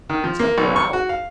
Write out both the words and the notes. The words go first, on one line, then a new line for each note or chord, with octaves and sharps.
and took her out,
D#3
F3
A#3
B1
C#6
F#4
F5